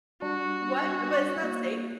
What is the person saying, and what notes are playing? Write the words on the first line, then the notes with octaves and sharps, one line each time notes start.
What? Wasn't that safe?
G3 D4 F#4
A#3